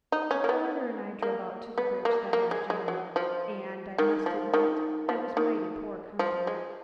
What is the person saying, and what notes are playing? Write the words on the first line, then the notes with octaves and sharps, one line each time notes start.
The coroner and I drove out to the bridge that afternoon and I must admit I was mighty poor company.
D#4
C#4
A#3
B3
A#3
B3
A#3
A#3
G#3
G#3
F#3
F3
D#3
F3
D#3
F3
D#3
F3
G#3